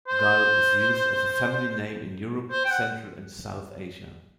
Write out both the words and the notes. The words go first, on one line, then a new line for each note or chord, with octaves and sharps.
Gul is used as a family name in Europe, Central and South Asia.
C5
C5
G5
F#5